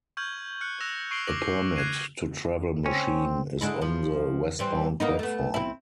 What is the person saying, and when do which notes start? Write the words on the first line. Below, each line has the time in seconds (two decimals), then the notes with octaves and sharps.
A Permit to travel machine is on the westbound platform.
0.17 C#6 F6 G6 G#6 F#7
0.61 F6 F#6 C#7
0.81 E6 F#6 A#6 E7 F7
1.11 C#6 C7 D7 F#7 G7
1.27 D6 A#6 D7 F#7
1.76 F#6 G#6 C7 D#7
2.86 C4 C#4
3.61 D3 G#3 E4
3.82 F3
4.59 E3 G3 C4
5.00 A#3 B3 D#4
5.19 A3 B3
5.54 C4 E4